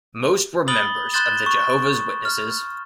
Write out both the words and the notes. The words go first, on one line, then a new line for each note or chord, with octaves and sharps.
Most were members of the Jehovah's Witnesses.
B5 D#6 A6 F#7 G7
C6 F#6 G6 A6 E7 G7
C#6
F6